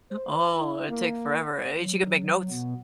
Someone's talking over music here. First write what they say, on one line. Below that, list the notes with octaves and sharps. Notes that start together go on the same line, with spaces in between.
Oh, it take forever and she could make notes.
C5
E4
A#3
F#3
B2 B3